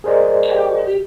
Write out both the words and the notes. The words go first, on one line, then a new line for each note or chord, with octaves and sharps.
I don't really
G#4 A#4 C5 D5 D#5